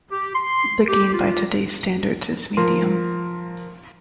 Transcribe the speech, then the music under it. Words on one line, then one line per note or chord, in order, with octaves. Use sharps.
The gain by today's standards is medium.
G4
C6
G4
F4
F3 A#4 C6